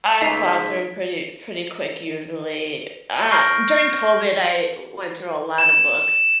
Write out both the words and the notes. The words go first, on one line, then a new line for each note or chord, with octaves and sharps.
I plow through 'em pretty pretty quick, usually. Ah, during COVID, I w went through a lotta books,
C#2 D#4 G#5 A#5 B6 C7
C#6 F6 G6 A#6 C7 D7
E7